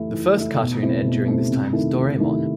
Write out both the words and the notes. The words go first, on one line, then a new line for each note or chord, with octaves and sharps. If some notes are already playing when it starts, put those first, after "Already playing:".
The first Cartoon aired during this time is Doraemon.
Already playing: E3 A3 E4
E3
A3 E4
B2
A3 C4 E4
B2
A3 C4 E4
C3
D#3 A3 E4
C3
D#3 A3 E4